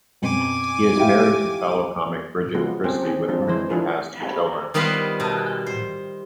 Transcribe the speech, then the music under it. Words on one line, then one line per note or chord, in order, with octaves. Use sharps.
He is married to fellow comic Bridget Christie, with whom he has two children.
F#2 B2 C4 G#5 D6
D#4 E4 G4 F5 G5
C#3 F3 F#3 G#3 B3 F4
C4 C#4 G4 G#4 C5
C4 G4 G#4
F3 G#3 C4 D4
D3 E3 G#3 C5
E3 F3 D4 F4 G#4 A#4
D#3 G3 B3 F4 B4 C5
B2
C5